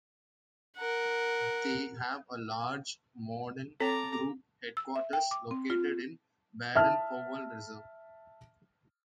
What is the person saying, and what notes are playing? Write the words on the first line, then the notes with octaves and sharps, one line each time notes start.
They have a large, modern, group headquarters located in Baden-Powell reserve.
A#4 F#5
C4 A4 C#5 G5 A#5 D6
E6
E5
G5
D6
C4
F4
E5 A5 F6